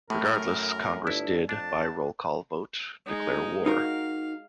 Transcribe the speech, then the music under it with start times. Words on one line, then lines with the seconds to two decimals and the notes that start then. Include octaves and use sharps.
Regardless, Congress did, by roll-call vote, declare war.
0.10 F#2 A2 A3 A#4
1.07 G1 D4 E4
1.49 F2 D4 A5
3.05 G#3 D#4
3.66 D#4 F#4 A#4 F5